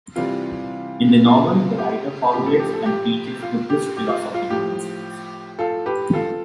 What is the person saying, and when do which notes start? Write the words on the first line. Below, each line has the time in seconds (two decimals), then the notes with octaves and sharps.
In the novel the writer formulates and preaches Buddhist philosophical principles.
0.16 C3 E3 G3 F4
1.25 F4
1.78 G4
2.33 A2 F3 G4
2.46 A4
2.59 G4
2.73 A4
2.86 G4
3.42 F4
3.70 G4
3.97 G4
4.09 F4
4.34 F4
4.50 A2 F3 G4
5.59 F4 A4
5.86 G4 B4
6.13 F4 A4